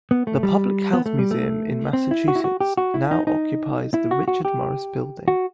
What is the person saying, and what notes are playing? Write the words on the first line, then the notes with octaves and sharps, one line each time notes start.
The Public Health Museum in Massachusetts now occupies the Richard Morris Building.
B3
A3
G3
B3
A3
G3
A3
C4
E4
F#4
E4
F#4
G4
F#4
E4
D#4
D#4
E4
F#4
F#4
G4
F#4